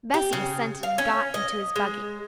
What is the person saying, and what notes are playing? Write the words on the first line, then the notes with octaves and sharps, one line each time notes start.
Bessy assented and got into his buggy.
G4
C#3
F5
C#4
D#5
G#3